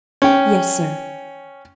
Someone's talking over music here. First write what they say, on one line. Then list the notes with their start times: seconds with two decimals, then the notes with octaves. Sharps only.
"Yes, sir."
0.22 C#4 G5